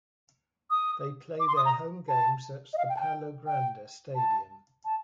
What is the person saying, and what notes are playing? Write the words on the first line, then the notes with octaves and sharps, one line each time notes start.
They play their home games at the Palogrande stadium.
D#6
D6
C6
D#6
A#5
A5
D#5
F5
G5
A5
G5
G5
A5
A5